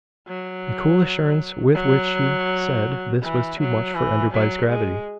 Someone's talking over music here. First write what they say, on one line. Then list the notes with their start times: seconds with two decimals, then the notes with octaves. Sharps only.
The cool assurance with which she said this was too much for Enderby's gravity.
0.28 F#3
1.74 F#3
3.22 E3
3.59 F#3
3.95 E3
4.32 F#3
4.68 G#3